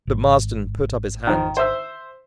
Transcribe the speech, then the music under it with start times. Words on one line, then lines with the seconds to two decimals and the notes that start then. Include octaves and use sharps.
But Marsden put up his hand.
0.07 G#1
1.27 D#3 F3
1.57 C5 E5 E6